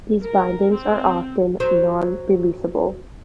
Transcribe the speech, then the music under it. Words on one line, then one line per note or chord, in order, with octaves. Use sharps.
These bindings are often non-releasable.
A#4
C4
F#3 C5